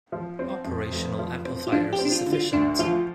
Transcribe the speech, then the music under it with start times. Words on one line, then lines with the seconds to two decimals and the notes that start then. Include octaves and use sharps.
Operational amplifiers are sufficient.
0.12 F3
0.39 C4
0.65 F2
0.92 F1
1.19 F3
1.45 C4
1.67 F4
1.72 F3 D4
1.93 G4
1.99 C4
2.05 D4
2.12 F4
2.26 D3
2.33 F4
2.53 D2 D4
2.79 F3 F4